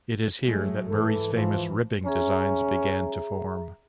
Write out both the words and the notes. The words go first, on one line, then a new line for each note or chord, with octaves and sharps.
It is here that Murray's famous ribbing designs began to form.
F#3 G#3 A3
G#2 E3 A4
F3
C#4 G#4 E5 A#5